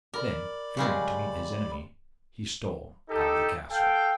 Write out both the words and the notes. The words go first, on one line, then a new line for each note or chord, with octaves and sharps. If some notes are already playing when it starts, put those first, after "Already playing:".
Then, fearing to meet his enemy, he stole out of the castle.
A#4 D5 B5 D6
C#3 G3 G#3
D#4 G4 A4
A4 F5 G5